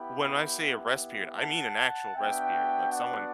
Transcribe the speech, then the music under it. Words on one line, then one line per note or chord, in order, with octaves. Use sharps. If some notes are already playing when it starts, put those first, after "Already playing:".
when I say a rest period, I mean an actual rest period, like, someone
Already playing: B3 E4 G4 G5 B5
F#5 A5
B3 D4 F#4 E5 G5
D5 F#5